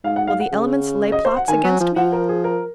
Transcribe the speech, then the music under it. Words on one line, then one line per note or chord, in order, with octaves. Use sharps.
Will the elements lay plots against me?
G#2 F5
F#5
F5
F#5
C#3
D#5
C5
F#5
D#3 G#5
F#3
F3
F3 F#5
A#4
G#4
A#4